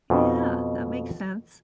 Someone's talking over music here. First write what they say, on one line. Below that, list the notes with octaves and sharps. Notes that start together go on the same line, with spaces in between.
Yeah. That makes sense.
F2 B2